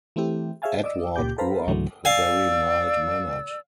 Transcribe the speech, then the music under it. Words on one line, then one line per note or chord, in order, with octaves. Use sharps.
Edward grew up very mild-mannered.
E3 A3 C4 E4 G4
G#4 C#5 E5 F5 G#5 A5
D5 D#5 D6 E6
C#2 A#2 G4 D6 G6
A4 B4 C5 F5 A#5 B5
C#2 G#2 D3 E3 F#3 A3
D5 F5 G#5 E6